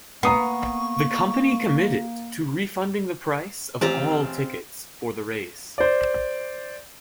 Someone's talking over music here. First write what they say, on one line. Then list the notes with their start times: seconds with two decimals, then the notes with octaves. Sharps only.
The company committed to refunding the price of all tickets for the race.
0.23 A#3 B3 A#5 C#6 D#6 C7
3.81 A1 C4 F4 G4 A#5
5.78 C5 D5